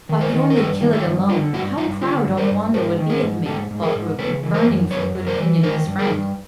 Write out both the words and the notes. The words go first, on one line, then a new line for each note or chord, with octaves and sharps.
"If I could only kill it alone, how proud Onawandah would be of me," thought Reuben, burning for the good opinion of his friend.
D#3
A#4 C5
D#3
A#4
G2 A4 B4
D#3
G4 A4
G2
D3 F4 G4
G2 E4 F#4
G2 D#4 F4
D3 F4 G4
G2
A#4 C5
G2
G#2 A#4 C5
D#3
G#4 A#4
G#2
G#2 G4 A4
G#2
G#4 A#4
G#2
C#3 A4 B4
E3
A#4 C5
F#2
F#2 B4 C#5
F#2
A#4 C5
E3
D#3 A#4 C5
G2
G#4 A#4
G2